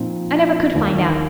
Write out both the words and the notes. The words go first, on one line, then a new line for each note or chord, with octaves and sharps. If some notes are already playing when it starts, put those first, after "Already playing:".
I never could find out.
Already playing: A#2 F3 C4 D#4
D#2 D#3 A#3